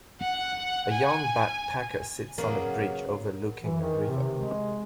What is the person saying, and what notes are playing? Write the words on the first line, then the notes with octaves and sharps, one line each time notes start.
A young backpacker sits on a bridge overlooking a river.
F#5
G#5
C#3 F#3 A#3 B3 C#4 G#4
E3
D#3
C3
G#3